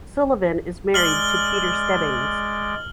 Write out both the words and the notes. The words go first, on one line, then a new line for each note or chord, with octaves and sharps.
Sullivan is married to Peter Stebbings.
G#3 D5 F6 F#7 G7